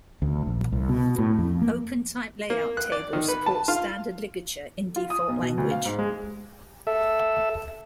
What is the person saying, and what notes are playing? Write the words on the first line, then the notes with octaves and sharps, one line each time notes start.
OpenType layout table supports standard ligature in default language.
D2
A#1
C2
B2
A2
F2
A#3
A#3
F#6
D5
D#3
B4
A5
F4
F4
D#6
B1
B2
D2
F5
G#2
G#3
A4 E5